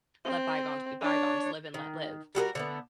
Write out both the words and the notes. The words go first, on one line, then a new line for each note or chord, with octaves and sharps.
let bygones be bygones? Live and let live."
C4
D4 C#5
D#3
G3 F#4 G#4 A#4
D3 A3 B3